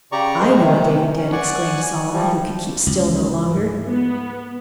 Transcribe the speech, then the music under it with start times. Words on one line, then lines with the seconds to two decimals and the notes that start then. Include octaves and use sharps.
"I know what David did," exclaimed Solomon, who could keep still no longer.
0.12 C#3 G4 D5 A#5 C#6
0.40 G2 G#3 G#4 A#4 C5 D#5
0.57 C3 D#3 E3
1.17 C#4
1.32 D5 F#5 G#5 C#6
2.13 F3 G3
2.87 C#2
3.45 G#2
3.84 B3